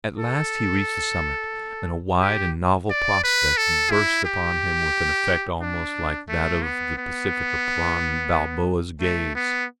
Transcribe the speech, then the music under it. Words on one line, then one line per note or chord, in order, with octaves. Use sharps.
At last he reached the summit, and a wide and novel prospect burst upon him with an effect almost like that of the Pacific upon Balboa's gaze.
A4
G4
D5
B4
A4
E4
G4
D4
A3
B3
B3
A3
B3